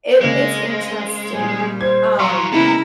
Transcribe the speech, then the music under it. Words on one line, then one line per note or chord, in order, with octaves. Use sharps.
it it's interesting. Um
C#3 G#3 A#3 C4 D#5
A#2 G3 G#4
C5 G#6
F3 F#3 F5 A#5 C6 C#6
A#2 C#3 G#3 A#3 B3 E4